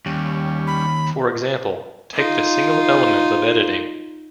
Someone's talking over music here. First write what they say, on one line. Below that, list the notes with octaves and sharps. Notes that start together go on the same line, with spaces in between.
For example, take the single element of editing.
D#2 G3 C#4
B5
D#4 F4